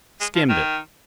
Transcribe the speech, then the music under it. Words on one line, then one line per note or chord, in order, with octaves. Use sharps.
Skimmed it.'
G#3
F3
D#3